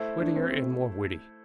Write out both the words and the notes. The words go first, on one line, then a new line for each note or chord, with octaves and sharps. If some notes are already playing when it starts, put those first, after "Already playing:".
'Wittier and more witty.
Already playing: A3 E4 A4 C5 E5
D4
C4
C4